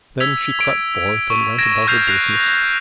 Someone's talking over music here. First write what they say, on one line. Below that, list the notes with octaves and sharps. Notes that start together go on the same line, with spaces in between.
Then she crept forth, and went about her business.
E6 G#6 B6 F7
D7
C#6 D#7
G#6 A#6 D7 E7
C#6 F6 G6 A#6 C7 F7
F#6 A#6 C7 F7